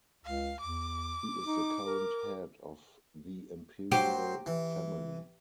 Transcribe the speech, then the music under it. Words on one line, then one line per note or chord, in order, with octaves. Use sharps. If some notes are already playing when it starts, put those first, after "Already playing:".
He is the current head of the imperial family.
C#2 F5
E2 D6
D#4
A#4
F#3 G4 C5
E3